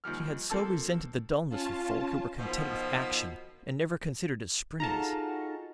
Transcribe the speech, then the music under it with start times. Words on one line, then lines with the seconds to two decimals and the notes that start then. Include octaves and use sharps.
She had so resented the dulness of folk who were content with action and never considered its springs.
0.04 D#2 F3 G3 F6
0.50 F3 A#3 C4 A4 A5 E6
1.49 C#4 F4 A5
2.39 B2 D#3 F3
4.80 D#4 F4 F#4 G#4 A4 A5 A#5